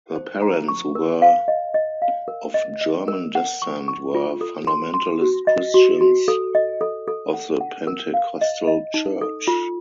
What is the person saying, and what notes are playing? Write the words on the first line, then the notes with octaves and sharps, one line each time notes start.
Her parents, who were of German descent, were "fundamentalist Christians" of the Pentecostal Church.
C5
A#5
C#6
A#4
F5
D#5
D#5
F5
A#4
D#5
D#5
A#4
F#5
C#6
C#6
F4
A4
C6
C6
F#4
D#5
F#4
F#4
A4
D#5
A4
A4
F#5
F#5
A#4
F5
D#5
D#5
D#4
A4
F4